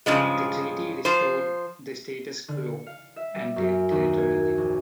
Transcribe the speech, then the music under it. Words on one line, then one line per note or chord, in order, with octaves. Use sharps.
The treaty restored the status quo ante territorially.
G2 C#3 F3 G#3
F3 C5
D3
C#7
F5
E5
G3
F#2
D#2
G#6
A#1